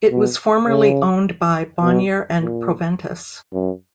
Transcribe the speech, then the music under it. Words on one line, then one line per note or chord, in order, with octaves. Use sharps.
It was formerly owned by Bonnier and Proventus.
B2
C#3
B2
A#2
F#2